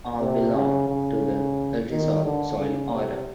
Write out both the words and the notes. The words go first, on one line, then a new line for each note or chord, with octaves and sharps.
All belong to the Ultisol soil order.
C3
C#3
C#3
D#3
D3
C#3
C3